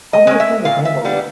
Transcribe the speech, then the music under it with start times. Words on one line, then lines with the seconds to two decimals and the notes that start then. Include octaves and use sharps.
How do you think the table looks?
0.13 D#5
0.27 G#3 C#4
0.40 E5
0.65 A#2 F5
0.85 E5
1.05 G3 B3 D4